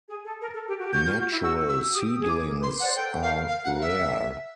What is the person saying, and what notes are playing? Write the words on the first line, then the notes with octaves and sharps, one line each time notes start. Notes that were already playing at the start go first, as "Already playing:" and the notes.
Natural seedlings are rare.
G#4
A4
A#4
A4
G4
F#4
G4
F#4 G6
F4
F#4
E4
F#4 E6
E6
G4 D#6
G#4
D6
A#4
B4
C6
F#5
C5 D5
A4 G5
A#4 F5
F5
F#5
A#4
E5